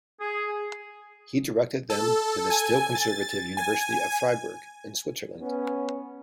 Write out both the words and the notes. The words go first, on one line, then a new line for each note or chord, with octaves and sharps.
He directed them to the still conservative University of Fribourg, in Switzerland.
G#4
A4
G#5
A6
G#5
B3 C#4